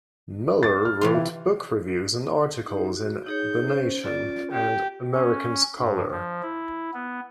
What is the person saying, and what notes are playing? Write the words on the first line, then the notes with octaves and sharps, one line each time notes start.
Miller wrote book reviews and articles in "The Nation" and "American Scholar".
A6
F6
C3 E3 F4
E4
D#4 G4
F#4
D#4 G#4 C#5 G6
C#4 C5
C#4 F4 D5
G4
C#4
G2
F3
E4
B3